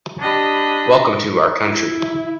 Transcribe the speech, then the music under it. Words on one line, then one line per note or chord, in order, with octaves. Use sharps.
Welcome to our country.
D4 G4 D#5 B5
E4